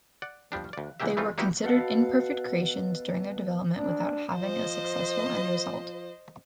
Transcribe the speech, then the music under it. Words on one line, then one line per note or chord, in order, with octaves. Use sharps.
They were considered imperfect creations during their development without having a successful end result.
D5 F#5
F3 G3 D4
D2 D5
C#2 E3 G#3 A#3 G4 E5
E3 G3 A3 C4 D#4 F4
A#3 D#4 E4 F#4 G4 B4
B2 A4 F5 F#5
D4
F3 C5 D#5